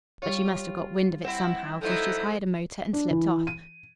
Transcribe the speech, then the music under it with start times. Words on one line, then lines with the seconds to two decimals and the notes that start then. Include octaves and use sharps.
But she must have got wind of it somehow, for she's hired a motor and slipped off.
0.22 G3 F4 C#5
1.24 C4 E4 F#5
1.81 F3 F#3 D#4 E4 A4 C5 G6
2.93 D4
3.11 E3
3.47 D#7